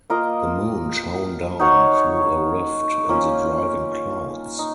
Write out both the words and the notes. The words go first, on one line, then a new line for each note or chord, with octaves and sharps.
The moon shone down through a rift in the driving clouds.
A#3 F4 A#4 D#5
D#4 F#4 C#5 F5
A#3 C#4 F4
D#4